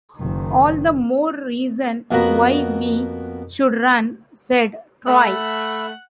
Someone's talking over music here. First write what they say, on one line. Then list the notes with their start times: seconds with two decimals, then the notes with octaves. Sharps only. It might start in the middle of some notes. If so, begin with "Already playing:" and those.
"All the more reason why we should run," said Troy.
0.17 F#1 D#3
2.11 F2 A#3 B3 F#4 A#5 B5
5.07 A3 E5 F#5 B5